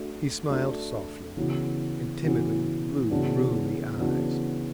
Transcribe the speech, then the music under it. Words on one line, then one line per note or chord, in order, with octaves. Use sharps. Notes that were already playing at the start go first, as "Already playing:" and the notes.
He smiled softly and timidly with blue, rheumy eyes.
Already playing: A3 D4 F#4
A3 D4 F#4
C#3 E3 B3 F#4
C#3 E3 B3 F#4
C#3 E3 B3 D4 F#4
C#3 E3 B3 D4 F#4